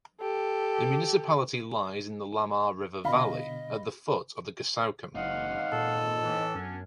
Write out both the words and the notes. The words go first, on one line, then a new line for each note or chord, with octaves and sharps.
The municipality lies in the Lammer River valley at the foot of the Gosaukamm.
G4 A4
B2 D3 D#5 F5 B5
F#1 C4 D#4 F5 F#5
A#2 A4
A2 E3
F#2 B3 C#4 D4